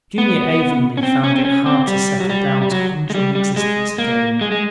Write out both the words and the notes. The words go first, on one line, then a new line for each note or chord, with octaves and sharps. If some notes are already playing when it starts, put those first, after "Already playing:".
Junior Avonlea found it hard to settle down to humdrum existence again.
B3
C#4
C4
C#4
C4
C#4
C4
G3
F#3
G3
G3
F#3
G#3
G3
G3
G#3
A#3
G#3
G#3